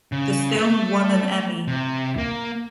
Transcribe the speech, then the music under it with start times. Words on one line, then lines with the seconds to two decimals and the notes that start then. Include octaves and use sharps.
The film won an Emmy.
0.12 C#3
0.56 A3
1.68 C3
2.18 A#3